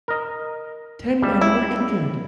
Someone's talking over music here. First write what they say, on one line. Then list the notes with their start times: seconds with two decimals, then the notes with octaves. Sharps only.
Ten men were injured.
0.08 A#4 D#5
1.22 C#2 G3 E5
1.41 E4